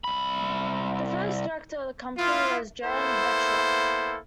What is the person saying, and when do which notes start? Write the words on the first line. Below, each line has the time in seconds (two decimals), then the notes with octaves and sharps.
The first director of the company was Jan Velterop.
0.04 C2 B5
2.17 B3 E4 F4
2.84 A#3 B3 E4 A4 C5